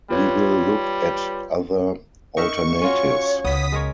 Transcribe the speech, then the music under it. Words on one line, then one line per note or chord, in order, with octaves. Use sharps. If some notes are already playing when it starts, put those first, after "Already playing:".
We will look at other alternatives.
G3 F4 B4 C#5
D#4 A#4 E5 C#6
C#4 F4 F#4 C#5
C#2 B3 D#6 B6
G#3 A#4 C#5